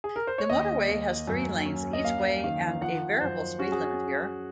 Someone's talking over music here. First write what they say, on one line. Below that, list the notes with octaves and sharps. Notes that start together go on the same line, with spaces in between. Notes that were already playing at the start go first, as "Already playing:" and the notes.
The motorway has three lanes each way and a variable speed limit here.
G#4
A#4
C5
C#5
D#2 D#5
D#2
F#2
C#4
D#5
A#3 F5
D#3 F5
F3 F#5
F#2 C5
C#4 F#4
G#4